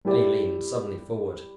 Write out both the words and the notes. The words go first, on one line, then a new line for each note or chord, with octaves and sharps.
Then he leaned suddenly forward.
G3 E4 G4 D5